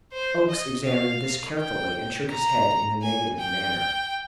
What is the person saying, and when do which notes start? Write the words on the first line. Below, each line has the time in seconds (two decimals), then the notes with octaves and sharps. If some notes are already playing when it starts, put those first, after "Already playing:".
Oakes examined this carefully and shook his head in a negative manner.
0.13 C5
0.49 D#5
0.85 F5
1.58 G5
2.30 A#5
3.02 G#5
3.38 G5